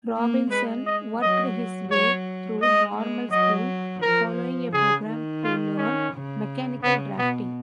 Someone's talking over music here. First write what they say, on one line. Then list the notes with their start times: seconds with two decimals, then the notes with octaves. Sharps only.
Robinson worked his way through normal school, following a program to learn mechanical drafting.
0.16 A#3
0.51 G#3 B4
0.87 D#5
1.22 F#3 D#5
1.91 F#3 C#5
2.62 G#3 D#5
2.97 G#3
3.32 F#3 D#5
4.02 F3 A#4
4.72 C#3 G#4
5.08 D#3
5.43 F4
5.78 C#4
6.14 C#3
6.83 C#3 B3
7.19 B2 B3